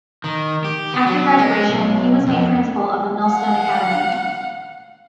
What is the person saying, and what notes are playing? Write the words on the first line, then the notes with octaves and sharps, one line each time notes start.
After graduation, he was made Principal of the Millstone Academy.
D#3
G4
B3
F#3
G#3
B1
F2
F5 F#5